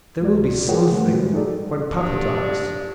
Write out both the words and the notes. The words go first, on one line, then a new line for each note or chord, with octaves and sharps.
"There will be something--when papa dies."
C#2 G#3 F#4 D5
F4 G#4 A#4 C#5 F#5 G5
D#3 F3 G3 A3
G3 G#3 F#4
D#4 G#4 A4 D5
G2 D4